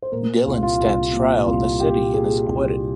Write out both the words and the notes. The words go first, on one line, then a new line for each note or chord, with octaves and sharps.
Dylan stands trial in the city and is acquitted.
C5
A#2 A#4
C2 F4
F4
C2
A#2
C2 F4
A#2 G4
A#2 G#4
C2 G4